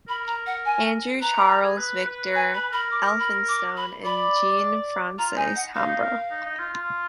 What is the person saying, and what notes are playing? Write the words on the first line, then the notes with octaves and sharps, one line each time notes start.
Andrew Charles Victor Elphinstone and Jean Frances Hambro.
A#4 B5
A#5
F#5
G#5
B4 A#5
B4
A#4
G#4
B4
B4
B4 G#5
B4 B5
A#4 B5
D6
B5
D6
B5
D5 B5
F4 A#5
D#4 G#5
F#5
D#4 F5
D#4
A#4
D#4
D#4
F4
F4